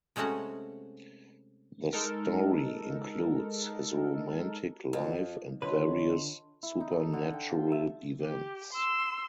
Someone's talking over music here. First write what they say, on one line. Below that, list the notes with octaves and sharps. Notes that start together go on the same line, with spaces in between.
The story includes his romantic life and various supernatural events.
C3 G#3 A3 C#4 F#4 F#5
G#3 D#4 A4 A#4
F2
D3 F4 B4 C#5 D#5 C6
E4
D#4
A4
D3
G5
F4
E5
G4
C6 E6